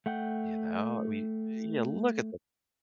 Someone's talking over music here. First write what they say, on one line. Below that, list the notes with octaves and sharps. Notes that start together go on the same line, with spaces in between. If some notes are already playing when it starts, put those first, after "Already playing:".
You know? We, eh, yeah, look at the
A3 F#5 G5